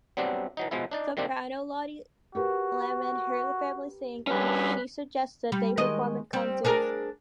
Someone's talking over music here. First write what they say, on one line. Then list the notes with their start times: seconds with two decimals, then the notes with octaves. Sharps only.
Soprano Lotte Lehmann heard the family sing, and she suggested they perform at concerts.
0.17 F#3 G3 B3 C4 D4
0.57 E3 F#3 D#4
0.71 B2 F3 G#3 B3 E4
0.91 D4 D#4 D5
1.17 D#3 G3 A#3 C4 D4
2.35 F#4 G4 A#4 B4
4.27 G2 C#4 B4
5.52 G3
5.77 D#3 G#3 D#5
6.33 G3 C4
6.65 D4 G#4 A#4